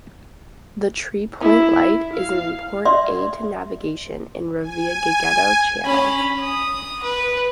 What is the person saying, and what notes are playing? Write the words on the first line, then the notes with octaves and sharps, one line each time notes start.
The Tree Point Light is an important aid-to-navigation in Revillagigedo Channel.
E4
E4
F5
D5 E5 C6
G#5
C#4 B5
D#6
B4